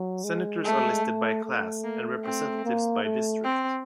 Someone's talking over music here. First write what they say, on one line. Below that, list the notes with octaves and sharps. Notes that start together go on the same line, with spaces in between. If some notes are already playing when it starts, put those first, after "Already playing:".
Senators are listed by class, and Representatives by district.
Already playing: F#3
G#3
A3
A3
A3
A#3
C4
A#3
A3
C4